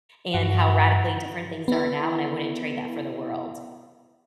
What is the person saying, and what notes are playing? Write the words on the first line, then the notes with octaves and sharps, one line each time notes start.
and how radically different things are now, and I wouldn't trade that for the world.
G2 F#4
B3 E4